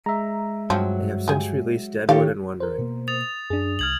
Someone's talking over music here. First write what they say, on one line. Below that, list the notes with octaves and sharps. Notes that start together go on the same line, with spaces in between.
They have since released "Deadwood" and "Wondering".
G#3 E5 A#5
G2 F3 F#3 C4
G4 G#4
D#3 G4 A4 C#5 F5
A#4 C5
B2 A#3
D#6 A6 F7
F#2 D4 G#4
C2 F6 G#6 F#7